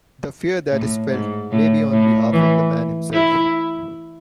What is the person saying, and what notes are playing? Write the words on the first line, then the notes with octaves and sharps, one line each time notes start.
The fear that is felt may be on behalf of the man himself.
A2
G#2
A2
A2
E3
E4